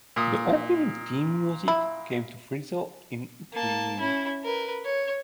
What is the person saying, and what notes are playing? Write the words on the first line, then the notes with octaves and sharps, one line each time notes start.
The opening theme music came to Frizzell in a dream.
A#2 D#6
E4
A#3 A5
C#4 E4
A#4 B4
C#5